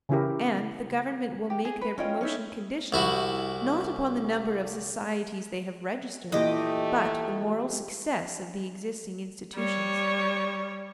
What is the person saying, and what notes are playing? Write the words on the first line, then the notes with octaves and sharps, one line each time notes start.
And the Government will make their promotion conditional, not upon the number of societies they have registered, but the moral success of the existing institutions.
C#3 E3 C#4 E4 G4 A#4
G4
G#4
B4
C#4 F4 D#5 G5
C#4 D#4 E5
C2 E4 F#4
A#2 E3 A3 G4 D#5
G3 C#5